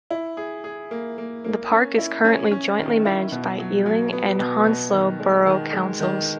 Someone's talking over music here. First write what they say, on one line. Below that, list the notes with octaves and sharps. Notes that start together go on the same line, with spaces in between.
The park is currently jointly managed by Ealing and Hounslow borough councils.
E4
G#4
G#4
A#3
A#3
A#3
C#4
E4
C#4
C#4
D#3
E4
B2
F#3
F#3
B3
B2
B2
D#3
G#3
D#3
G#3
D#3